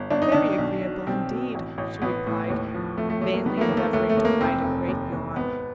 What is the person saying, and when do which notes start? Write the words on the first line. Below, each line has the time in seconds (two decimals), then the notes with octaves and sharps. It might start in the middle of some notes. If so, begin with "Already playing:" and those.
"Very agreeable indeed," she replied, vainly endeavouring to hide a great yawn.
Already playing: G1
0.10 G1 D4
0.22 D#4
0.32 D#3 D4
0.58 B1
0.82 B2
1.07 B1 C4
1.31 B2
1.55 A1
1.78 A1
2.02 A1 B3
2.27 A2
2.50 D#2
2.74 F3
2.97 F3 A3
3.10 A3
3.21 D#2 A3
3.34 A#3
3.46 D#3 B3
3.57 A3
3.61 A#3
3.69 D#2
3.77 A3
3.93 D#2 A3
4.09 A3
4.17 D#2
4.25 A#3
4.41 F1 C4
4.64 F1
4.88 D#2
5.12 D#2
5.36 G#1 B3